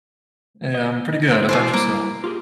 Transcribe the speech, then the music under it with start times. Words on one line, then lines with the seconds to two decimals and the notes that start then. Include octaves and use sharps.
Yeah, I'm pretty good. How about yourself?
0.75 D#5
1.31 D4 E4 C5
1.49 B2 E3 A3 E4 C5 A5
1.73 G3 A#3 E4
2.24 F4 G4 G#4